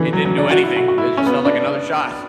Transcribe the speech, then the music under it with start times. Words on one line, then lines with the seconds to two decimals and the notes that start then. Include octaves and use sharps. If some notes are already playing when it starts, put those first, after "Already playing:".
it didn't do anything, it just felt like another shot.
Already playing: D3 E3
0.13 F#3
0.25 F#3
0.38 D4
0.51 F#4
0.63 E4
0.77 F#4
0.88 F#4
0.98 E4
1.17 C#4
1.26 B3
1.45 D4